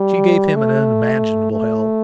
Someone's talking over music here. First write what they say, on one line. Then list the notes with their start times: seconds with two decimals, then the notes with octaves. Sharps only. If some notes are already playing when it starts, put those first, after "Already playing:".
She gave him an unimaginable hell.
Already playing: G3
0.56 A3
1.52 A3